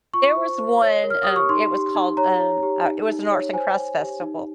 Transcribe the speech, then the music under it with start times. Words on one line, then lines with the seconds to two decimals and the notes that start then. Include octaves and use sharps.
There was one, um, it was called, um uh, it was an Arts and Crafts festival,
0.14 F4 C#6
0.37 C5
0.58 C5
0.82 C#5
1.04 A#4
1.10 F6
1.23 G4 D#6
1.36 C#6
1.49 D#4 C6
1.72 G4
1.95 D#4
2.17 C#5 A#5
2.40 C#5
2.63 G4
2.85 D#4
3.08 D#4
3.31 C#5
3.53 C5 G#5
3.76 C5
3.99 G4
4.21 D#4